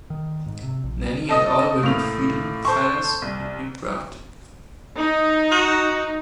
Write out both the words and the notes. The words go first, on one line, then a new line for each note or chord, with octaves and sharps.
Nanny and all women freedom fighters would be proud.
D#3
G#2
C3
A#1
A4 D#5 D#6
A2 A#3 F7
A4 C5 A5 C6 C#6
C2
D#4
F#4